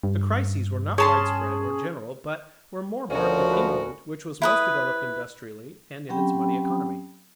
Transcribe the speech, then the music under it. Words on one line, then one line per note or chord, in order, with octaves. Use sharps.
The crises were not widespread or general, but were more marked in England, which was most developed industrially and in its money economy.
G2
C#4 G#4 A5 C6
D2 F3 C#4 F#4 A#4
B4
E4 B4 D#6
F#3 C4 C#4 G4 G5 B5